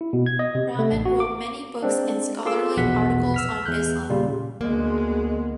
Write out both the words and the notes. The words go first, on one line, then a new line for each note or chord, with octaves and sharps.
Rahman wrote many books and scholarly articles on Islam.
E4
B2
G#6
D#5
C3
A3
A1
F#4
D6
G#3 C4 D4
F4 G#4 A4 C6 D6 E6
A#1 E2 B2 F#5 B6
E6 F6 B6
E2 F#6 G6
A#2 C#3 G3 F4
D2 G#3 A#3 B3